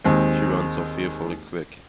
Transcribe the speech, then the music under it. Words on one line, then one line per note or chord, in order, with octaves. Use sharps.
She runs so fearfully quick.
D#2 G#3 C4